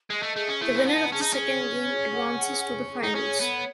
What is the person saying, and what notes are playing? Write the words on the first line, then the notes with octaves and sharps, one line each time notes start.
The winner of the second game advances to the finals.
G#3 D#5
A3
A3 G#4
C#4
A3 E4
C#4
B3 A5
C#4 G#4
D#4
C#4 C#5
C#5
G#4
F#5
G#4
G#4
G#4
D#4
C#4 C#5
B3 A4